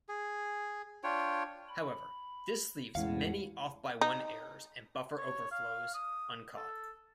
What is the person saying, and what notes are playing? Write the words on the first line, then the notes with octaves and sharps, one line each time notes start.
However, this leaves many off-by-one errors and buffer overflows uncaught.
G#4
D4 F4 C#5 G5
B5
E2 A2 E3 G#3 C#4 F5 F#5
D#4
C#5
F5
D#6
A4